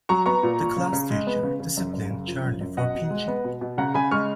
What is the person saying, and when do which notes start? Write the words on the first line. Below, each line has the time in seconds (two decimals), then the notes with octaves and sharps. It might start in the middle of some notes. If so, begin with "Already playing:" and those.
The classteacher disciplined Charlie for pinching.
0.09 F#3 A#5 C#6
0.26 B3 A#5 C#6
0.43 A#2
0.60 A#2
0.76 C#3
0.93 C#3
1.10 G#3
1.27 B3
1.43 C#3
1.60 C#3
1.77 F#2
1.93 F#2
2.10 C#3
2.28 F3
2.44 F#2
2.61 F#2
2.77 B2 D#5 F#5
2.95 B2
3.11 G#3
3.28 B3
3.45 B2
3.61 B2
3.78 C#3 F#5 A#5
3.94 C#3 G#5 B5
4.11 G#3 C#6 F6